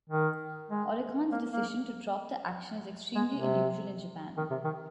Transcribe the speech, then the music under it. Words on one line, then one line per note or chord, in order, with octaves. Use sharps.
Oricon's decision to drop the action is extremely unusual in Japan.
D#3
G#3
A#3
A#3
G#3
C3
D#3
C3
D#3